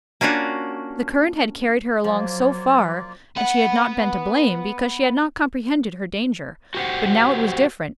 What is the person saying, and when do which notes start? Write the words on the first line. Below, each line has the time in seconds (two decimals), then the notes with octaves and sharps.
The current had carried her along so far, and she had not been to blame, because she had not comprehended her danger; but now it was different.
0.21 A#3 C#4 D4 F4 F#4
2.04 F3 F#3 A#3 F4 D5
3.36 B3 F#5
6.74 F#4 G4 A#4 C5 F#5